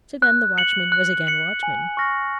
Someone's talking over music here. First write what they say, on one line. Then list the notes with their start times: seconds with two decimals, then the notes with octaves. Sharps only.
So then the watchman was again watchman.
0.22 F#6
0.58 C#7 F#7
0.92 F#6
1.27 C#7 F#7
1.63 G#5
1.97 C#6 F6 A#6